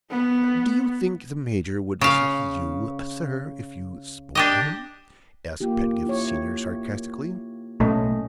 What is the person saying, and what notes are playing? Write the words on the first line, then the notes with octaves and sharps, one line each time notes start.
"Do you think the major would listen to you, sir, if you spoke to him?" asked Pedgift Senior, sarcastically.
B3
C#3 F5
D4 G4 D#5
A#3 F4 G4
E4 C#5
B1 A2 A3 C#4 D#5